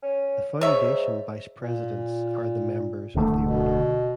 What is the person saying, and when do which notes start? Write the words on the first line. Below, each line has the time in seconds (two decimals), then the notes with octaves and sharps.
The foundation vice presidents are the members of the order.
0.02 C#4
0.61 G#2 C#5 E5
1.59 A#2
3.15 D1 D3 A3
3.43 B2